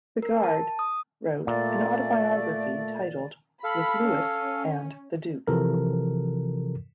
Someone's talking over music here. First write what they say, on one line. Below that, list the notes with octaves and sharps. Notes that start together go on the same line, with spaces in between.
Bigard wrote an autobiography entitled "With Louis and The Duke".
A#4
A5
D#6
A#2 A3 D5
A4 F5 B5
C#4
C3 E3 F3 A4 A#4